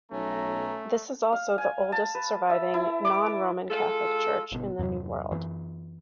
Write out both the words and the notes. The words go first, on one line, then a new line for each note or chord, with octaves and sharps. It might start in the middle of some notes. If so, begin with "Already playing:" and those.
This is also the oldest surviving non-Roman Catholic church in the New World.
B1 A3 C#4 A#5
F5
G#5
A5
B4
E5
E4
D6
G#3 F4 A4
G1 B2
E2 G2 C3 F#3
F#2 E3